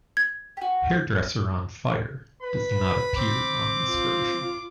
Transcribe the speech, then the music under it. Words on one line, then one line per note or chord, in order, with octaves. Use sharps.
"Hairdresser on Fire" does not appear on this version.
G#6
F#4 G4
B4 B5
C4 D6
F4